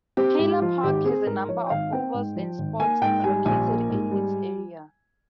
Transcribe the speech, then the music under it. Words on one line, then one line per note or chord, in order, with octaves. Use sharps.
Keilor Park has a number of ovals and sports located in its area.
C4 G4
G#2 G4
F3 F4
G#1 G4
C4 G#4
G#2 A#4
F3 C#5
G5
G#1 F5
C4 G5
G#2
F3
G#1
A#3 G#5
G#2 G5
G3 G#5
A#1 G#5
A#3
G#2
G3